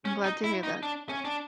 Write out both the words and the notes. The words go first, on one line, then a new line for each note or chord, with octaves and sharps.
I'm glad to hear that.
C#4
D#4
E4
D#4
D4
C#4
D4